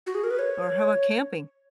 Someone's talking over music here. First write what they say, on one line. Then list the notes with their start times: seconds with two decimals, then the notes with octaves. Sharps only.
Or how 'bout camping?
0.07 F#4
0.15 G#4
0.24 A#4
0.31 B4
0.39 C#5